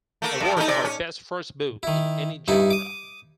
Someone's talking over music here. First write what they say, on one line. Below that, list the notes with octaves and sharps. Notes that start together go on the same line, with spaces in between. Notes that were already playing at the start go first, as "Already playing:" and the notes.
Award for a best first book in any genre.
A3 A#3
F#2
G3 A3 D#4
C3 D5
C#4
D#3 E4
G2 D#4 E4
D6 D#6